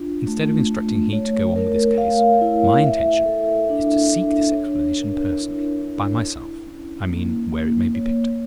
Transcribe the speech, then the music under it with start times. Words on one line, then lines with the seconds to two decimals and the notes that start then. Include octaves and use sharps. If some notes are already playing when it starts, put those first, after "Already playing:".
Instead of instructing Heat to go on with this case, my intention is to seek this explanation personally--by myself, I mean--where it may be picked up.
Already playing: D4 F4
0.28 A3
0.70 A3
1.13 C#5
1.56 A#4
1.98 F5
2.41 E4
2.84 E5
3.26 A4
3.69 D4
4.11 D4
4.54 C#5
4.97 A#4
5.40 E4
5.82 E4
6.25 E4
6.67 C#4
7.10 A#3
7.52 A#3
7.95 C#5